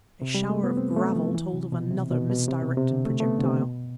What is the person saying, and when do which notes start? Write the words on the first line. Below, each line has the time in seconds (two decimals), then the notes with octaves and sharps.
A shower of gravel told of another misdirected projectile.
0.22 C3
0.35 G3
0.49 A3
0.64 B3
0.77 C4
0.96 A3
1.16 F3
1.35 E3
1.53 C3
1.72 B2
1.91 C3
2.11 B2
2.30 B2
2.48 C3
2.62 B2
2.77 C3
2.91 D3
3.05 A3
3.20 A3
3.24 B3
3.38 D3
3.44 C3
3.63 B2